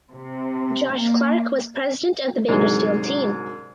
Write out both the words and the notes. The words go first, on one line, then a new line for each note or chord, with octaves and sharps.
Josh Clark was president of the Bakersfield team.
C3
A#3
C2 G#2 D3 F#3 G#3